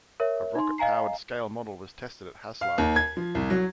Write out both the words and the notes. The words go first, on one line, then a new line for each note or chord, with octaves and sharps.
A rocket-powered scale model was tested at Haslar.
A#4 C#5 E5
D#4 C6
D#5 F5 G#5 A#5 C7
F5
D#2
G#6
F3
C2
F#3